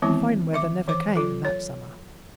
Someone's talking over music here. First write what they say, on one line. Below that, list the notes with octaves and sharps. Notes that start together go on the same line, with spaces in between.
The fine weather never came that summer.
D#3 E3 G#3 B3 C4 E4
D#3 E5 D6
E3 C5 D6
F#3 F4 A4
C#5